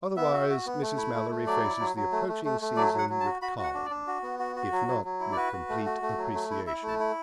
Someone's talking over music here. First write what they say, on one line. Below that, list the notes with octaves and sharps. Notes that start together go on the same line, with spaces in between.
Otherwise Mrs. Mallory faces the approaching season with calm, if not with complete appreciation.
B3 E5
F#4
F#4
B3
A3
E4
A3
A3
F#3 D5
E4
F#3
F#3
A3
A3
A3
A3
F#3 D5
F#3
F#5
F#3
A5
F#4
F#4 B5
F#4
F#5
D4
D5
D4
F#4
B3
F#4
F#4
F#3
F#3
F#3
E4
D5
F#4 B4
F#4
A3
F#4
A3
F#3
A3
E4
E4 E5
A3
A5
E4